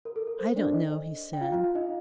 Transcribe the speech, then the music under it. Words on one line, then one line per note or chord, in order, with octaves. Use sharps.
"I don't know," he said.
A#4
A4
A#4
C5
D4 D5
D#4 D#5
G5
F4 F5
F4 F5
F4 F5
D#4 D#5